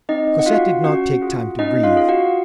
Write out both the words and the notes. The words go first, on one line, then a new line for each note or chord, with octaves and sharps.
Cosette did not take time to breathe.
C4 D#4 D#5
F#5
F4 F#4 F5
C#4 F#4 F#5
F4 G#4
C#4 D#4 D#5
F4 F5
F4 G#4 F5
F#4 F#5